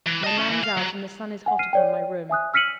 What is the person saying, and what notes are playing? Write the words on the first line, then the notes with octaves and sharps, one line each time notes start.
My man's out, and the sun is hot upon my room.
E3
D#5 A5
C#4 E4
E3
F5
F#3
F#5 G#5
F6 C7 D#7
C#5 D5 G5
E5 G#5 D#6 F#6
E6 F6 B6 C#7 D#7 F#7